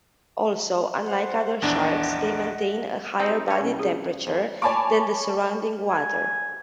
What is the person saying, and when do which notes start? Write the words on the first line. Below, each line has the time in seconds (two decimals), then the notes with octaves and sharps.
Also, unlike other sharks, they maintain a higher body temperature than the surrounding water.
1.04 C5 F#5
1.62 A#1 E2 D4 D#5 E5 F#5
3.20 C4 D#4 G4 A#5
3.48 G3 C#5
3.61 C2 C#4
3.79 G#4
4.27 F2
4.62 C#5 G#5 A5 B5 D6
5.90 G#5